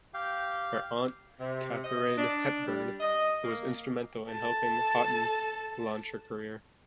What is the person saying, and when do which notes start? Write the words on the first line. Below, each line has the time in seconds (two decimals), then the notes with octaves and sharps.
Her aunt, Katharine Hepburn, was instrumental in helping Houghton launch her career.
0.14 G4 F5 G5
1.40 C3
1.83 D#5
2.18 D4
2.67 G3
3.00 D#5
3.42 A#3
4.28 A4 A5